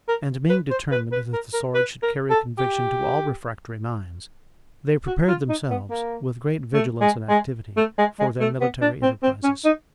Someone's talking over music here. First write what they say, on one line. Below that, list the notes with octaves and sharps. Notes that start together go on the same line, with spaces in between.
And being determined that the sword should carry conviction to all refractory minds, they prepared themselves, with great vigilance and activity, for their military enterprises.
A#4
B4
C5
B4
B4
A#4
A#4
B4
A#4
A4
G4
F#4
F4
D#4
B3
A#3
A3
G#3
G#3
A3
G#3
G#3
A3
B3
D4
C4
C4
C#4
D#4